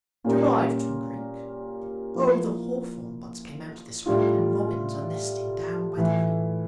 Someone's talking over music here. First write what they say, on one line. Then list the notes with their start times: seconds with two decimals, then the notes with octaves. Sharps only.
Derived from Greek Oh, the hawthorn buds came out this week, And robins are nesting down by the creek.
0.25 A#2 G3 C#4 G4 A#4
2.15 F3 A#3 E4
4.06 A2 G3 D4 F4
5.97 A2 E3 A3